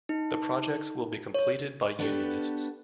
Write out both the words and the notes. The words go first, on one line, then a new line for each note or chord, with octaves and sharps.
The projects will be completed by unionists.
D#4
C#5
B3 D4 F#4 G4 A4 B4